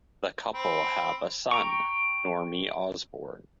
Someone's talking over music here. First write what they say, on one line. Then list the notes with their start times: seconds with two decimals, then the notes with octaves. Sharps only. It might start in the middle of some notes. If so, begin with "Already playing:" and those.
The couple have a son, Normie Osborn.
0.54 C4 B5
1.51 G5 A#5 C#6